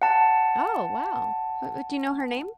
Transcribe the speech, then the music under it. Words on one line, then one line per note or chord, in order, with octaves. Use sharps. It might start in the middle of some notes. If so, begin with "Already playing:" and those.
Oh, wow. Her do you know her name?
F#5 A5